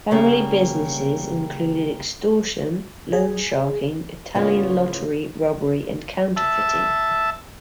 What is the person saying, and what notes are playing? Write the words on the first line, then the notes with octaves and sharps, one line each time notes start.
Family businesses included extortion, loan sharking, Italian lottery, robbery and counterfeiting.
C#3 G3 A#3 B3 C#4
G#4
A2 C#3 A#3 B3 C#4 F4
E5 A5